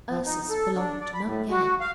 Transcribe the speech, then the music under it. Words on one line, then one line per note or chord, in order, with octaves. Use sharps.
Ursus belonged to no gang.
F3
D#4
A4
D4
D5
B5
A2
F#4
F5